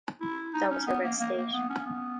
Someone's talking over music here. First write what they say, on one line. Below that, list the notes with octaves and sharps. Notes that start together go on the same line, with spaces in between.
That was her best state.
E4
D#4
C#4
B3
A#3
A#3
A#3
B3
C#4
B3